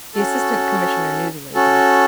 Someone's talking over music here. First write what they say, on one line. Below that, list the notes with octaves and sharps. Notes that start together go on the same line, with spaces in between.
The Assistant Commissioner knew the lady.
C#4 F#4 A4
C#4 F#4 A4